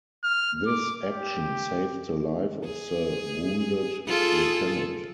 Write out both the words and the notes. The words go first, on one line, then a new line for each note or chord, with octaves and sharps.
This action saved the life of the wounded lieutenant.
F6
D6
G4
G#4
F4 G#4 A4